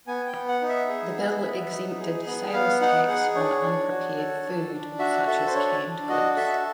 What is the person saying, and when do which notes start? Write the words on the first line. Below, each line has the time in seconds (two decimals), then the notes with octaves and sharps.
The bill exempted sales tax on unprepared food such as canned goods.
0.07 B3 G#5
0.27 G5
0.34 B3
0.48 F#5
0.62 D#4
0.69 E5
0.89 G#4
1.16 B3
1.44 B3
1.71 D#4
1.99 G#4
2.26 B3
2.53 B3 F5
2.81 D#4 F#5
3.08 G#4 F#5
3.35 D4 C#5
3.62 D4
3.90 F#4
4.17 A4
4.44 D4
4.72 D4
4.99 F#4 E5
5.27 A4 E5
5.47 C5
5.54 D4 C#5
5.82 D4
6.09 F#4 D#5
6.36 A4 E5